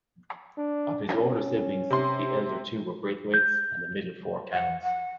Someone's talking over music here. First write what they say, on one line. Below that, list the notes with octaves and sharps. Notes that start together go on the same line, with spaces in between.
Of his older siblings, the elder two were Braithwaites and the middle four Cannons.
D4
C#4
C3 C6
G6
F#5
F#5